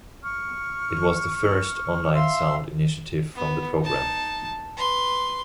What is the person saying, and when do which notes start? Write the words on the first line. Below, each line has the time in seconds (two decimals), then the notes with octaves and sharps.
It was the first online sound initiative from the programme.
0.23 C#6 F6
2.13 E5 F5 C6 E6
3.35 B3
3.80 D#4 A5
4.77 B4 C6